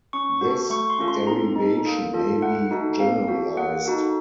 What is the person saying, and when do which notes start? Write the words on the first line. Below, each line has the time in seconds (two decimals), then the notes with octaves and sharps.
This derivation may be generalized.
0.13 C#4 C#6
0.41 F#4 A4
0.70 A3 C#6
0.90 C6
0.99 C#4 F4 A4
1.08 C6
1.27 C4 A#5
1.56 D#4 A4
1.86 A#3
2.13 F4 A4
2.42 A3 F#5
2.71 D#4 F#4 A4
2.99 C4 F5
3.28 F#4 A4
3.57 A#3 F#5
3.86 D#4 F#4 A4